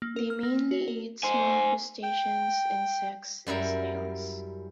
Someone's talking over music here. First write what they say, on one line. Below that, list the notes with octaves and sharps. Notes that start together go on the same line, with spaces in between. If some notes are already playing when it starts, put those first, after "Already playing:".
They mainly eat small crustaceans, insects, and snails.
A#3
A#4
F6
A#3
F#4
A#4
C5 G#5
G5
F#2 G3 E4 A#4